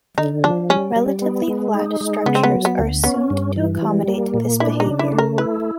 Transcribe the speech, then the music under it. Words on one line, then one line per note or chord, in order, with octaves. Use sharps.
Relatively flat structures are assumed to accommodate this behavior.
D3 D#4
F3 D4
G3 C#4
G3
B3
G#3
D#4
G#3
C#3 B3
C4
B3
F#3
B3
D2
B3 C#4
G2
E3
G3
A#3
A#2
D4 E4
D#4
C#3
E4
A3
A#4
E4 B4